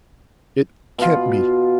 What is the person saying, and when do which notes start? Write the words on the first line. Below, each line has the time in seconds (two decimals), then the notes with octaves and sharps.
It can't be.
0.98 B2 F4